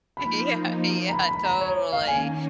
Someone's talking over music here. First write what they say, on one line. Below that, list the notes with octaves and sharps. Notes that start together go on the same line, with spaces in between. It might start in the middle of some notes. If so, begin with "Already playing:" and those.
Yeah, yeah, totally.
F3 A#3 D#4 B5
A#5
B5
B5
A#5
C#5
F5
D#3 A#3 C#4 G#5